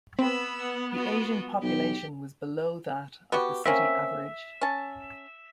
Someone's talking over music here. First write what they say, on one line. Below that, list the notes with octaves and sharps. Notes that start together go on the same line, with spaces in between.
The Asian population was below that of the city average.
B3 C4 B5 E6
F#5
F4 F#4
B1 G4
B3 F#4 G4
A#3 C4 C#4 E5
C#4 A5